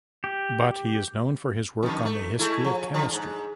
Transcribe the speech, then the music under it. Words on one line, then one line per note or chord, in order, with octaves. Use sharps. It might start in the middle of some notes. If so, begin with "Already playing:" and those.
But he is known for his work on the history of chemistry.
G4
F2 D#3
A3
G#3 A3 E4
F3
D3 F3
G#2